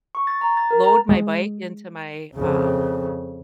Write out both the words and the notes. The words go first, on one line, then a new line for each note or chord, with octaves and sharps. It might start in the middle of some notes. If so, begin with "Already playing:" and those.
load my bike into my, um,
C#6
A6
A#5
A6
A#4
A#5
G#3
F2 C#3